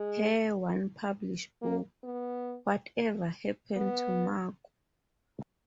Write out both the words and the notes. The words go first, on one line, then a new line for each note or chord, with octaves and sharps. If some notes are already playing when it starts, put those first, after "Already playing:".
Her one published book, Whatever Happened to Margo?
Already playing: G#3
A#3
B3
B3